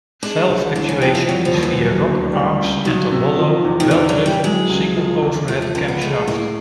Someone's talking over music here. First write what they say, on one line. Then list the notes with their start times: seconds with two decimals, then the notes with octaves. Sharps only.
Valve actuation is via rocker arms and a hollow, belt-driven single overhead camshaft.
0.23 G#3 D4
0.49 C2
0.75 E3 D4
0.89 C#4
1.02 F2 C4
1.15 A#3
1.28 F#3 G3
1.45 F3
1.54 D#2
1.63 E3
1.80 F#3
2.07 D2
2.33 G3
2.60 C#2
2.85 D#3 F#3
3.12 C3
3.38 F3
3.65 E2
3.80 D#3
3.90 E3 D4
4.09 F#3
4.17 E3
4.26 G3
4.44 F#3 G#3
4.69 C#2
4.96 F3
5.22 E2
5.48 F3 A3
5.62 A3
5.75 C#2 A#3
5.88 B3
6.01 G#3 A3
6.27 A2 A#3